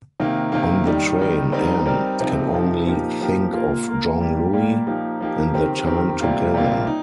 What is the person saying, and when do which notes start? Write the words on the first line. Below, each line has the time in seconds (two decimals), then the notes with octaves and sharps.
On the train Anne can only think of Jean-Louis and their time together.
0.20 C3 D#3 A#3
0.52 C3 D#3 A#3
0.86 D#3 G3 D#4
1.19 D#3 G3 D#4
1.52 G3 C4 D#4 A#4
1.86 G3 C4 D#4 A#4
2.20 C3 F3 C4 D#4
2.53 C3 F3 C4 D#4
2.87 A#2 F3 D#4 G4 A#4
3.20 A#2 F3 D#4 G4 A#4
3.53 A#2 A#3 F4 A#4
3.87 A#2 A#3 F4 A#4
4.20 A#2 G3 A#3 G4
4.53 A#2 G3 A#3 G4
4.87 F3 A#3 D#4 G4
5.20 F3 A#3 D#4 G4
5.54 D#3 C4 G4 A#4
5.87 D#3 C4 G4 A#4
6.20 C3 G3 A#3 F4
6.54 C3 G3 A#3 F4
6.87 D#4